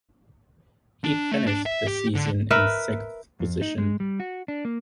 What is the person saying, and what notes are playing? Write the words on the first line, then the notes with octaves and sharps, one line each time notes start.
He finished the season in sixth position.
D4
A3
D4
E5
G4
D3
A#4 B4 E5
F2
D#4
G#3
G3
F#4
D4
A#3